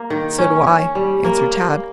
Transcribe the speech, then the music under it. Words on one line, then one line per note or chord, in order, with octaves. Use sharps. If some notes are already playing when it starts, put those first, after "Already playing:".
"So do I," answered Tad.
Already playing: A#3
D#3
C#4
C#4
G3
A#3
A#3